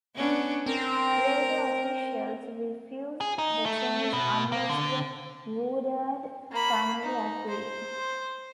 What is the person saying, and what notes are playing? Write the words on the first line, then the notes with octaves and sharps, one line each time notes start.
Railway officials refused the change unless the Woodard family agreed.
B3 C#4 D4
C4 A#4
G#4
D#4
A3
B2
A#3
D3
A#3 B5
D#4
C5